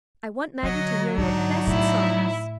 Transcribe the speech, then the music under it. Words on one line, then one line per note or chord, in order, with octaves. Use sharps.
"I want Maggie to hear your best songs."
D3 F#3 D#5
G#2 D3 D4 D#4
A2 E4